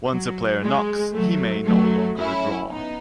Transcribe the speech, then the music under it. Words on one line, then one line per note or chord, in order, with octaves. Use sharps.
Once a player knocks, he may no longer draw.
F#3
G#3
F#3 A3
F#3 A3
C#4 E4
B3 D#4